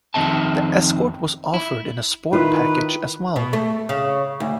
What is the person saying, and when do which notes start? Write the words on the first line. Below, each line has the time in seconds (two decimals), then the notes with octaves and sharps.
The Escort was offered in a Sport package as well.
0.14 F2 D#3 C4 D#5 E5 A5
1.54 E4
2.33 D#3 E4 F4 B4
3.36 B2
3.53 A3
3.89 C#3
4.40 D2